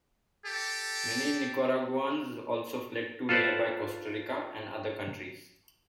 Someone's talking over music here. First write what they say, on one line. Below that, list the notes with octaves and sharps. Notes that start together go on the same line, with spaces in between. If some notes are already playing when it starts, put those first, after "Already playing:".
Many Nicaraguans also fled to nearby Costa Rica and other countries.
G4 A4
F4 A4 B4 C5 D5